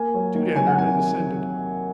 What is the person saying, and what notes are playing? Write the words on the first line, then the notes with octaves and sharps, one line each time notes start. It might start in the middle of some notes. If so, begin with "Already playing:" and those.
Jude entered and ascended.
Already playing: A#3 G#5
F#3
D#3
F#3 G#5
F#5
C3 G#5